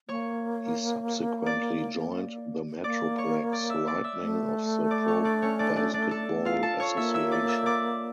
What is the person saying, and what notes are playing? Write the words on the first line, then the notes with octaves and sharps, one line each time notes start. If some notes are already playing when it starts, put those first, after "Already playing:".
He subsequently joined the Metroplex Lightning of the Pro Basketball Association.
A#3 C#5 C#6
D5 D6
A#3 D5 D6
C#5 C#6
D5 D6
E5 E6
D5 D6
E5 E6
A3
D5 D6
C#5 C#6
D4 D5
C#4 C#5
D4 D5
D4 D5
D4 D5
A4
F4 F5
A4 A5
C#5 C#6
A#3 E5 E6
E5 E6
D5 D6
E5 E6
D5 D6